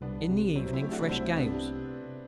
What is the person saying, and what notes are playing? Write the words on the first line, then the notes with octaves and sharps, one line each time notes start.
In the evening fresh gales.
C2 B3 D4
C3
F#3 C4 E4
E4 G4
A3
D4 F#4
C2 C4 E4
C3 B3 D4